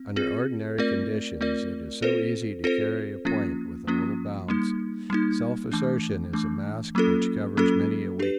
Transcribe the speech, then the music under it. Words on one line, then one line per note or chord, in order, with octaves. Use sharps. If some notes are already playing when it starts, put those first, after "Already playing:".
Under ordinary conditions it is so easy to carry a point with a little bounce; self-assertion is a mask which covers many a weakness.
Already playing: C4
C4 F4 G#4
A3 C4 F4 A#4 D5
A3 C4 F4 A#4 D5
C4 F4 A4 C5
C4 F4 A4 C5
F3 A#3 C#4 F4
F3 A#3 C#4 F4
G3 A#3 D#4
G3 A#3 D#4
E3 A3 D4
E3 A3 D4
F#3 A#3 C#4 F4 A4
F#3 A#3 C#4 F4 A4
D4 G4 B4